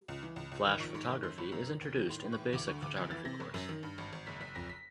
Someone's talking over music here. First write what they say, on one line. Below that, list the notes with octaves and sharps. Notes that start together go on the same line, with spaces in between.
Flash photography is introduced in the basic photography course.
C#2
E3
C#2
C#2
D#3
A#1 C#6
G#2
D#3
F#2 C6
G1 B5
F#2 A#5
D#3
D#2
D#3
A2 C6
A2
C#6
E3
D2 D6
D3 C#6
D2 D6
F2 G#6
E3 A6
C3 A#6
G1
F#2
D#3
G2
G#1
G#1
F#1 B6
F#1 B6
F2 A#6
B6